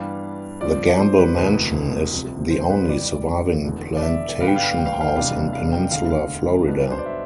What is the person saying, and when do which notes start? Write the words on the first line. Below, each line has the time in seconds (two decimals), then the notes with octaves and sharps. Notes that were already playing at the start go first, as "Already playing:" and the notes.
The Gamble Mansion is the only surviving plantation house in peninsular Florida.
Already playing: G2 E3 G3 B3 D4 F5
0.61 G2 F3 C4 D5
1.00 C5
1.18 B4
1.37 E1 D2 C3 E3 B4
2.13 C2 C3 F3 C4
2.51 C5
2.70 B4
2.88 F2 E3 G3 D5
3.64 E1 E2 D3
3.97 D5
4.02 E5
4.40 G2 D3 G3 B3 F5
4.47 G5
4.56 F5
4.63 G5
4.70 F5
4.78 G5
4.86 F5
4.93 G5
5.01 F5
5.08 G5
5.16 F1 E2 C3 G3 D4 F5
5.53 F5
5.72 G5
5.91 E1 D2 D3 F5
6.10 F5
6.68 B1 B2 G3 B3 D4
6.91 C5
6.98 D5
7.06 E5